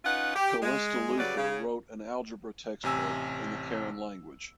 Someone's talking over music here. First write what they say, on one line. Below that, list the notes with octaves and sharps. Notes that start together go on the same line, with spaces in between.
Calista Luther wrote an algebra textbook in the Karen language.
C#4 D#4 F4 B4 F#5
G4
G#3
C#3 F#3 G3 B4 D5
C#3
A1 C3 G#5 E6